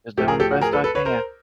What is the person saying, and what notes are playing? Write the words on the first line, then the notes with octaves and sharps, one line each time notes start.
just doing the best I can."
A2 F3 G4 A4
G#4 A#4
G4 A4
F#4
G#4 A#4
A4 B4
A4 B4
B4 C#5
A#4 C5